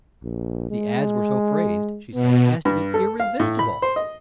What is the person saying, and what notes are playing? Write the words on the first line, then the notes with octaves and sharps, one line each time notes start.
The ads were so phrased, she said, as to be irresistible.
A#1
G#3
B2 B3
G2
A4
F5
A2
B5
C5
D#5